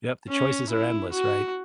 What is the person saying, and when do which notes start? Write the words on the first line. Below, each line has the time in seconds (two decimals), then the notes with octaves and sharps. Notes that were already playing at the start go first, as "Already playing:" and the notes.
Yep. The choices are endless, right?
0.29 C#4
0.70 E4
1.12 F#4